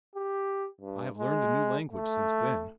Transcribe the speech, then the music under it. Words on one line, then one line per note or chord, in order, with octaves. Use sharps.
I have learned a new language since then.
G4
G2
G#3
A3